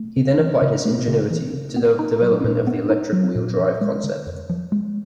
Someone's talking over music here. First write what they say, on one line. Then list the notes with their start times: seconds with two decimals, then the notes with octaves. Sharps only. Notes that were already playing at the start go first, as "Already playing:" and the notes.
He then applied his ingenuity to the development of the electric wheel drive concept.
Already playing: A3
0.17 C#3
0.39 E3
0.62 C#3
0.85 A3
1.08 C#3
1.30 E3
1.53 C#3
1.76 B3
1.99 D#4
2.22 F#3
2.44 A#2
2.67 B3
2.90 D#4
3.13 F#3
3.35 A#2
3.59 F3
3.81 G#3
4.04 D3
4.26 F2
4.50 F3
4.72 G#3